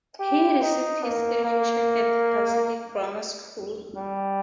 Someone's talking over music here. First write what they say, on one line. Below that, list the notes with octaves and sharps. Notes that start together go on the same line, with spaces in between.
He received his education at Dursley Grammar School.
G4
D#4
A#3
A#3
G3